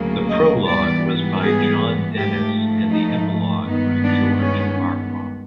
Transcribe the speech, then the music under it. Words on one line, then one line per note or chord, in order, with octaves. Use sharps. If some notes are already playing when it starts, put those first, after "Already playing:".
The prologue was by John Dennis and the epilogue by George Farquhar.
Already playing: D2 C#3 F#3 A#3
D#5
G#2 E3 G3 B3 D5
G#4
G#2 F3 A3 G4
D#4
G2 D#3 G#3 B3 D#4
D4
C#4